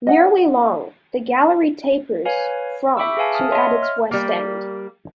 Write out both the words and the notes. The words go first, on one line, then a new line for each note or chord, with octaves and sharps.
Nearly long, the gallery tapers from to at its west end.
D#5 F#5
B4 C#5 F5 G#5
E5 G5 B5 C#6 D6 E6
G#4 B4 E5 F5 G#5 A5
A5 D#6 F6
C#5 D#5 E5 F#5 C6
F6
G3 A#3